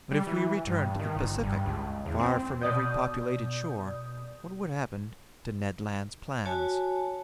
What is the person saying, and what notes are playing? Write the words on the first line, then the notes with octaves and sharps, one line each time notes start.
But if we returned to the Pacific, far from every populated shore, what would happen to Ned Land's plans?
G3
E3
G2
D#3
G1
G2
C#2
E2
C4
B2 D5 D#6 G6
F#4 C#5 G#5 A5